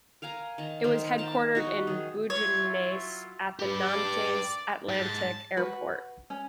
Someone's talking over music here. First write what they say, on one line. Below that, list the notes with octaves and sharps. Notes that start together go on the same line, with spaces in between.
It was headquartered in Bouguenais at the Nantes Atlantique Airport.
A#4 F5 G#5 A#5
D#3 A5 A#5
D#3 A#4 C5 C6
F5 G5 A5 A#5
D#4 F#4
D#3 G#4
F#3 E4 F4 C#5
G4 B4 D5
G#2 A5
F#4 B4
C#4